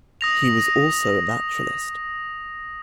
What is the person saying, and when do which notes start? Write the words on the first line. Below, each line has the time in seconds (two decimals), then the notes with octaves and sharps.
He was also a naturalist.
0.21 D#6 A#6 F7